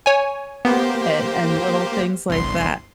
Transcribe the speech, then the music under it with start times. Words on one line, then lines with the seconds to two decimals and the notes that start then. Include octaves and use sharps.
and and little things like that,
0.06 C#5 G#5
0.65 A#3 B3 G4 C5
2.29 G1 C2 C6